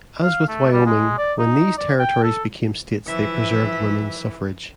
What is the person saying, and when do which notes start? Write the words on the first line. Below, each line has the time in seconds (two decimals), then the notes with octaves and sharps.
As with Wyoming, when these territories became states they preserved women's suffrage.
0.23 F5
0.48 A3
0.72 G3
0.86 G#3
1.18 D5
1.39 D#4
1.78 D5
1.99 G5
2.24 A4
3.07 E3 F3 E5